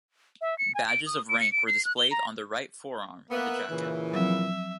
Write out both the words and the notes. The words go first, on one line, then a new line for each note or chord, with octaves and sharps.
Badges of rank were displayed on the right forearm of the jacket.
E5
C#7
G#5
D7
D#6
D7
C#7
D7
C7
F#6
G7
A#5
A#3 B3 E5 F#6
A#2 C#3 E3
F3 F#3 C4 E5